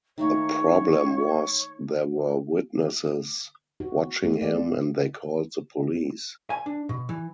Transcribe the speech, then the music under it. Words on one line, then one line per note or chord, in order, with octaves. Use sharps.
The problem was there were witnesses watching him and they called the police.
D#3 A3 A#3 C#5
F#4
A3
D5
G#5
D4
B2
E3